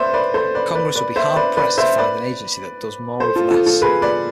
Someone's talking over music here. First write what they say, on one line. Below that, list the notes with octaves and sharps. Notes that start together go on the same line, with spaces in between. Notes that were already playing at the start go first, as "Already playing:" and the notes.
Congress would be hard-pressed to find an agency that does more with less.
Already playing: B4 C5 D5 E5
B4 D5
A4 C5
B4 D5
B4 D5
B4 D5
C5 E5
B4 D5
B4 D5
C5 E5
B4 D5
A4 C5
F4 A4
F4 A4
F4 A4
G#4 B4
B4 D5